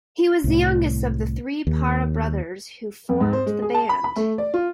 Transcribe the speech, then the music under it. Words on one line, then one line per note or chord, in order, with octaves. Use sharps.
He was the youngest of the three Parra brothers who formed the band.
C2 A2
D#2
F2
G#2
C5
G#3
G#4
A5
B5
B5
A3
D5
F4